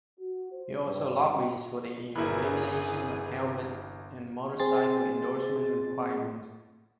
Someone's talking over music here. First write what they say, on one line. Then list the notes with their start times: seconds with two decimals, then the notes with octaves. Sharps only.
He also lobbies for the elimination of helmet and motorcycle endorsement requirements.
0.20 F#4
0.52 C5
0.84 G2
2.16 G1 E3 E4 G#4 A#4 B5
4.60 C4 G#4 C6 A6